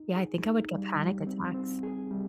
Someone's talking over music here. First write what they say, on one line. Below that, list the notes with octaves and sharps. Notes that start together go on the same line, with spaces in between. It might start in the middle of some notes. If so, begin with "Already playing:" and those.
yeah, I think I would get panic attacks.
Already playing: D#4
G#4
D#4
G3
G3
C4
C4
G#4
G3